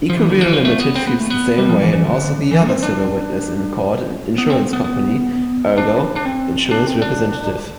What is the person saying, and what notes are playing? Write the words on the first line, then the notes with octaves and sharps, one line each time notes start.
EKOVIR Ltd feels the same way and also the other civil witness in court an insurance company Ergo insurance representative.
F3
E3
D3
E3
F3
A3
B3
C4
B3
A3
B3
G3
F3
E3
E3
D3
E3
C4
D4
B3
C4
B3
B3
D4
D4
C4
D4
C4
D4